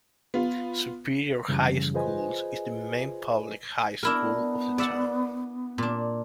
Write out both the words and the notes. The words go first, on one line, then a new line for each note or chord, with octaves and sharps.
Superior High School is the main public high school of the town.
B3 F4
F#2 C#3 E3 F3 G3
F4 G#4 B4 C5 D#5 G#5
B3 D4 E4 A#4
D5 E5 F#5
A#2 D4